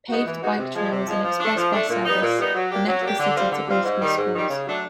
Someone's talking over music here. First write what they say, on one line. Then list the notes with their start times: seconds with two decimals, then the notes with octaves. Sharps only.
Paved bike trails and express bus service connect the city to all three schools.
0.09 G#3 B3 D#4 F#4
0.25 E3
0.42 G#3 B3 D#4 F#4
0.58 C3
0.74 F3 G#3
0.91 C3
1.07 F3 G#3
1.23 F3
1.40 A3 D4
1.56 F3
1.72 A3 D4
1.89 A#2
2.05 G3 B3 D#4
2.22 A#2
2.38 G3 B3 D#4
2.54 F#3
2.71 A#3 D4 G4
2.86 F#3
3.02 A#3 D4 G4
3.19 D3
3.36 G3 C4 F4
3.51 D3
3.69 G3 C4 F4
3.85 G#2
4.01 D#3 G3
4.17 G#2
4.34 D#3 G3
4.49 C#3
4.66 F#3 A3 D4